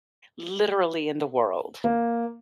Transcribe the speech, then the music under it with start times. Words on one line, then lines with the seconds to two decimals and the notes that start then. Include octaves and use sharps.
literally in the world.
1.84 A#3